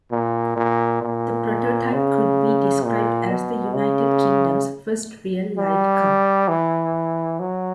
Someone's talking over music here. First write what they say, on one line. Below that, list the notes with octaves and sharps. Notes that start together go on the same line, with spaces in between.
The prototype could be described as the United Kingdom's first real light car.
A#2
A#2
A#2
C#3
A#2
B2
C#3
G3
E3
F#3